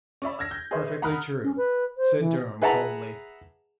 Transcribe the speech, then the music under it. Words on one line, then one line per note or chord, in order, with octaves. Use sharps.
"Perfectly true," said Durham, coldly.
C#4 D5 E5 B5
E6 F6 G#6 A#6
G6
G#4 B4 C#5 D#5 E5 C6
F#5 A#5 B5 D#6 F6 F#6
C#4
B4
C5
E3
G#4 B4 E5 F#5 A5 A#5